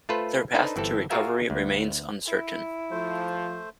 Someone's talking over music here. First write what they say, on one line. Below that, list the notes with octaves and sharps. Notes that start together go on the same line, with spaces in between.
Their path to recovery remains uncertain.
A3 F4 A4 B4 C5
D4 D#4 A4 B4 C5
G1 E3 C4 A4
F4 F#4 G#4 A#4 E5 F5
D2
E4
F3 A3 C5